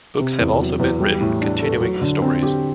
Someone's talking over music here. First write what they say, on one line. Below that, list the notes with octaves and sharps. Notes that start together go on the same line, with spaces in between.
Books have also been written continuing the stories.
C3
E2
F#3
E2
G3
A2
D4
A4
F#3
D3
C4
G4